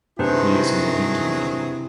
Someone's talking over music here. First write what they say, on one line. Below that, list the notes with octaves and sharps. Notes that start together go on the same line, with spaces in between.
He is married to Natalie.
C3 D#3 F#3 D4 E4 G#4 B4 C5